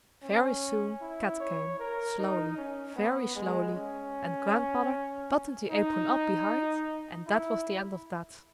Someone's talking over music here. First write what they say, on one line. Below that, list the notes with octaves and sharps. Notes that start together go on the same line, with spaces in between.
Very soon Kat came slowly--very slowly--and Grandmother buttoned the apron up behind, and that was the end of that.
C#4
E4
C#5
A#4
D#4
C#4
B3
G#3
C#4
D#4
E4